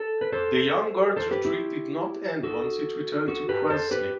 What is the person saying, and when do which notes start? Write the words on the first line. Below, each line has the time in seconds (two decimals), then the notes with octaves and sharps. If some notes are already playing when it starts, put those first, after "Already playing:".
The Young Guard's retreat did not end once it returned to Krasny.
Already playing: A4
0.21 B4
0.32 A4 C5
1.16 A4 C5
1.31 G4 B4
1.45 E4 G4
2.43 F#4 A4
3.28 F#4 A4
3.49 G4 B4
3.70 A4 C5
3.91 G4 B4